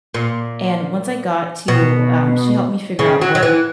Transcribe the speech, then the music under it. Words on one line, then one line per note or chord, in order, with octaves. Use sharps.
and once I got to um, she helped me figure out where
A#2
B2
C#3
F#3
F#3
E3